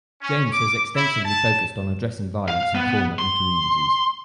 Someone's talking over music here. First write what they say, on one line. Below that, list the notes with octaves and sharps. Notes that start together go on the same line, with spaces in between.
James has extensively focused on addressing violence and trauma in communities.
C#4
D6
E4
A5
F5
B3
C6